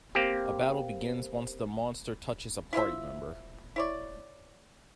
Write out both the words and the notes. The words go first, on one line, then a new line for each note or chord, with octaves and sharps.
A battle begins once the monster touches a party member.
A#3 C4 G4
E4 F4 C5 E5
E4 C#5 D5